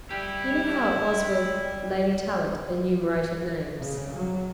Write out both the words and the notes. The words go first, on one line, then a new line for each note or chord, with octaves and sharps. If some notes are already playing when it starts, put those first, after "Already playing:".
You know how it was with....' Lady Tallant enumerted names.
G3 E4 G4
C#3
F#3